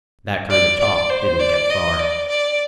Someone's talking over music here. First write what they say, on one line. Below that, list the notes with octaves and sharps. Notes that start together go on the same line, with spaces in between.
That kind of talk didn't get far.
D5
D5
C5
D5
D#5
D5
D5